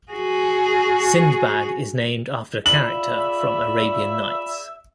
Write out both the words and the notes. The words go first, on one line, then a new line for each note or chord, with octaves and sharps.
Sindbad is named after a character from Arabian Nights.
F#4 G#4
F4 G#4 D5 E5 B5 F#7